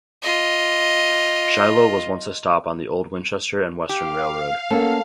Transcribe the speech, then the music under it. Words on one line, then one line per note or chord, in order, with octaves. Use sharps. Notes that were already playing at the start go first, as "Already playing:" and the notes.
Shiloh was once a stop on the old Winchester and Western Railroad.
F4 D#5
G4 F5
A#3 B3 C#4 A4